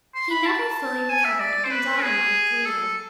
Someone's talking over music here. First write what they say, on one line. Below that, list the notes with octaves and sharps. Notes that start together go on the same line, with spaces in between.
He never fully recovered and died a month later.
C6
B5
A5
G#5
E5
D5
C5
B4
G#4
A4